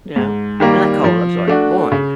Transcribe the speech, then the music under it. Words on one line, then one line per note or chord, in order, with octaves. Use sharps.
You know? And not cold, I'm sorry, warm.
G#2
D#3 G3 A#3
F3
A3 D4 F#4
C#3